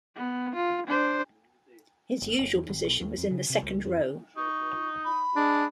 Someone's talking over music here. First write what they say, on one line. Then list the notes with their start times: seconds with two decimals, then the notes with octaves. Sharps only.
His usual position was in the second row.
0.15 B3
0.55 F4
0.86 D4 C5
2.22 G1
2.38 F#1
2.54 E2
2.69 G#1
2.84 B1
3.01 D#2
3.18 F2
3.31 C#3
3.50 C3
3.62 C#2
3.85 F2
4.36 D#4 C#6
5.04 B5
5.36 G#3 D4